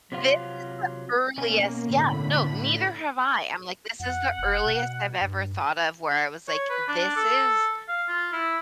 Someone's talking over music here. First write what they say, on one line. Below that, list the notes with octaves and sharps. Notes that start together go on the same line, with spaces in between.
this is the earliest Yeah, no, neither have I, I'm like, this is the earliest I've ever thought of where I was like, "This is
C3 F#3 F4
B2 A#3 C#4 G#5
A2 D3 B5
F2 F#5
F#1
B2
G2
C#5
B4
D4
A4
F5
F4
E4